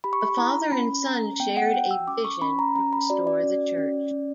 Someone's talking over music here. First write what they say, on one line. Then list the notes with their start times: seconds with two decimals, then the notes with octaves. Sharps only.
The father and son shared a vision to restore the church.
0.04 G4 B5
0.13 C#6
0.21 B5
0.38 E4 A#5
0.72 C#4 B5
1.06 C#4 A#5
1.40 B3 G5
1.57 F#5
1.74 F#4 G5
1.91 E6
2.07 C#4 D6
2.25 C#6
2.42 C#4 B5
2.59 A#5
2.76 C#4 A#5
2.93 B5
3.10 F#4 D5
3.27 D5
3.43 C#4
3.78 C#4
4.11 C#4